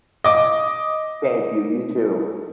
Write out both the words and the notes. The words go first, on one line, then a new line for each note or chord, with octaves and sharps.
Thank you, you too.
D#5 D6